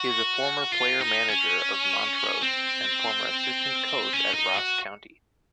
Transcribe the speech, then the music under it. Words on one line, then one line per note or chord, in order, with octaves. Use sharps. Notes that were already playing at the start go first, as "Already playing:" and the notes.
He is a former player-manager of Montrose and former assistant coach at Ross County.
Already playing: F#4
F4
D#4
C#4
C4
C#4
D#4
F#4